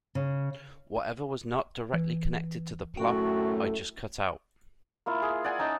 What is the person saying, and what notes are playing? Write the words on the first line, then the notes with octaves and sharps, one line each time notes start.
Whatever was not directly connected to the plot, I just cut out.
C#3
E3
F#2 A2 A3 F#4 G5
A#3 E4 F4
G#4
D5 F#5 G#5
C#4 D#4 A5